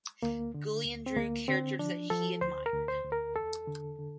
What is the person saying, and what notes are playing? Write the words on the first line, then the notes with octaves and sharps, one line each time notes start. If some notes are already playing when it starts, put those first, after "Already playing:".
Guillain drew characters that he admired.
D2 A#3
D3
D2
C4
D2 A#3
D3 C4
F3 D4
F3 A4
D2 C5
A#4
D2
C5
D2
A#4
E2 A4
D3
D3